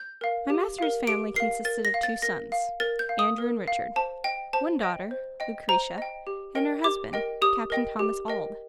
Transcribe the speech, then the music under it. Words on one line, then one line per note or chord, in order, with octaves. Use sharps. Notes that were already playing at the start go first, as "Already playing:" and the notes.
My master's family consisted of two sons, Andrew and Richard; one daughter, Lucretia, and her husband, Captain Thomas Auld.
Already playing: G6
A#4 F5
G4
A#4 F5
G4 D7
A#4 F5 C7
A#4 A6
A#6
F5
A6
A#4 A#6
F5
A#4 A6
G6
F5
D#6
A#4
F5
C5 A5
D#5 G5
C5 A5
D#5 G5
C5
D#5 G5
C5 A#5
D#5 G5
G4
A#4 D#5 G5
G4 D6
A#4 D#5 G5
G4 D#6
A#4 D#5 G5
G4
A#4 D#5 G5